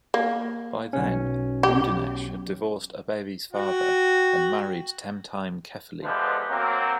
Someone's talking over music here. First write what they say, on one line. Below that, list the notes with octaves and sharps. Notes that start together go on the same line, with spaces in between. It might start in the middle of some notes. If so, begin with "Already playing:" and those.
By then, Wudinesh had divorced Abebe's father and married Temtime Kefelew.
A#3
B1 C#4
G4
F#4 G5
E2 F3 G#3 G4 A4 B4
F#3 A#3 C4